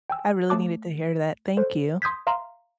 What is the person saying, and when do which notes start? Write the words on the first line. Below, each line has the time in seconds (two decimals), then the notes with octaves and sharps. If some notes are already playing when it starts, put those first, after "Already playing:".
I really needed to hear that. Thank you.
0.10 G5 G#5 E6
0.49 A3 C#5 A5 D6 F#6
1.57 A4 C5 C#5
2.02 C6 D#6 G6 G#6 B6
2.27 E5 F5 A#5 C6